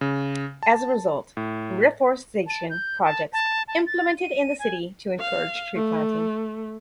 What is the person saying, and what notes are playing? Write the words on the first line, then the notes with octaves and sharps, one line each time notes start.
As a result, reforestation projects implemented in the city to encourage tree planting.
C#3
A5
A2
A5
G6
A5
A5
A5
A6
D#7
G#5
F5
A3